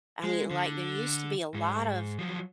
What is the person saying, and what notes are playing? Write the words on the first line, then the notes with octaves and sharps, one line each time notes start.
I mean, like, there used to be a lot of
G#3
D3
G#2
F3 F#3